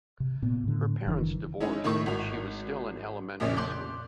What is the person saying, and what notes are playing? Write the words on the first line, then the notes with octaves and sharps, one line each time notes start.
Her parents divorced when she was still in elementary school.
C3
A#2 B3
A2 D3
F#1 D#3 E3 D4
G#3 C#4 D#4 E4
A2 D#3 A3 E4 C#6
G#1 F#4 F7
A#1 F2 A#2 C#3 C#4 D5
C6 D6 F#6 G6